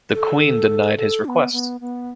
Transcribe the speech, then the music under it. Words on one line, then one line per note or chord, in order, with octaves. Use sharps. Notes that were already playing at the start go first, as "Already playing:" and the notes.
The Queen denied his request.
A4
A4
D4
B3
B3
B3